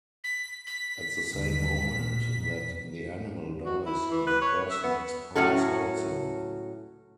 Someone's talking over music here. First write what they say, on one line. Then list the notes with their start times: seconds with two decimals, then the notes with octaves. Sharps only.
At the same moment that the animal dies the person expires also.
0.24 B6
0.67 B6
1.34 D#2 D3 D#3
1.85 B1 A#2
2.40 F2
3.64 F#4
3.85 E4
4.11 E3
4.27 B4
4.41 C#5
4.70 E5
4.84 B3
5.35 A2 F#3 C#4 F#4 A4